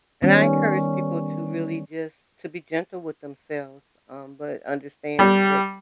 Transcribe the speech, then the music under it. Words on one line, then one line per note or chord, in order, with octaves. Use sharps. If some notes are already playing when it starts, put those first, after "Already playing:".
And I encourage people to really just to be gentle with themselves, um, but understand that
D#3 G3 B3 C#4
G3